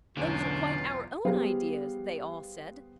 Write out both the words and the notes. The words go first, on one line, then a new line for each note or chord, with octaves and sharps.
"Those are quite our own ideas," they all said.
B1 E2 G#2 D3 B3 C#4 F4
G3 B3 G#4 C5 F5